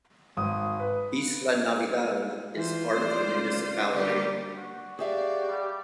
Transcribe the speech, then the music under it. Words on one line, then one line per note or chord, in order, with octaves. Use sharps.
Isla Natividad is part of the municipality.
G#1 D#6
B4
E3 F4 C5
C2 D5
C#2
D3 G3 A#3 G4 D5
F#4
G4 G#4 D5 E5 F5
G3